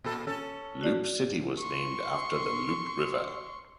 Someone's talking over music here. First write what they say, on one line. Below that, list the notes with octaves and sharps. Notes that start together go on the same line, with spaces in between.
Loup City was named after the Loup River.
A#2 A4
C#4 A4
F#4 D5
C6 C#6